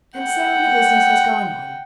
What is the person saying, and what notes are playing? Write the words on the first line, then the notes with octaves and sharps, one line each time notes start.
And so the business has gone on.
F#5 G5